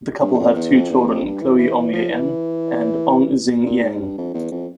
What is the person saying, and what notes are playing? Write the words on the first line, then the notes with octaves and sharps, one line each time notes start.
The couple have two children - Chloe Ong Li En and Ong Xing Yang.
G2
E2
F2
E2
F2
E2
F2
G2
E3
E3
E3
F3
E3
A#2
G#2
G2
F2
E2
F2